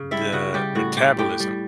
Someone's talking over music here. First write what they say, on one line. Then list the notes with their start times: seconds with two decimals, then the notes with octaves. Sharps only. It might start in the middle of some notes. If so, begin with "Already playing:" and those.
the metabolism.
Already playing: C#3
0.11 G3 E4 E5
0.33 C#3 F#4 F#5
0.54 G3 G4 G5
0.75 A2 F#4 F#5
0.97 G3 G4 G5
1.19 A2 G4 G5
1.40 G3